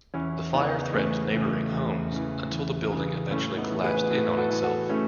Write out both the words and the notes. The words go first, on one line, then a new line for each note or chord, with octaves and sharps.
The fire threatened neighboring homes until the building eventually collapsed in on itself.
E2 C#4 E4
C#3 E3 B3 D#4
E2 A3 C#4
C#3 E3 A3
E2
C#3 E3
E2
C#3 E3
A2 A3 C#4
B3 D#4
E3
G#4 B4
A2 F#4 A4
B4
F#4 A4
E3
F#4 A4
A2 A3 C#4